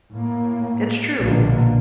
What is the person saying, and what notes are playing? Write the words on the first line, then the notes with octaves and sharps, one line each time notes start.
It's true.
A2 A#3
A#1 B2 D3 A#3